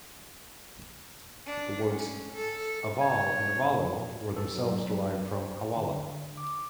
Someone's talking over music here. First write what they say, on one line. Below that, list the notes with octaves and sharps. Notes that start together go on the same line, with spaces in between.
The words "aval" and "avallo" were themselves derived from "hawala".
D4
C#4
A4
C#5
A4
F#3
C5
D3
D6